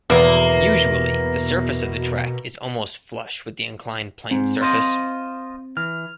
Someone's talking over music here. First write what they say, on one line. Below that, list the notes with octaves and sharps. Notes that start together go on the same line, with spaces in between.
Usually, the surface of the track is almost flush with the inclined plane's surface.
E2 B2 A#3 B4
G#2 C4
F4 C5 D#5
E3 F6